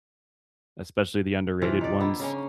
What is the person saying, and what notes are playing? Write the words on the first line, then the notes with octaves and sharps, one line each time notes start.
especially the underrated ones.
C3 E3 F3 F5
D#4 D5
D3 A#3 B3
C#3 A#3 C#4